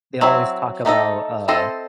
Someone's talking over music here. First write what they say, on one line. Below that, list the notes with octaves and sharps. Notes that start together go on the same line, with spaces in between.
they always talk about, uh,
F#3 C4 E4
A3 D#4 A4 D#5
C4 E4 A4 C5 D#5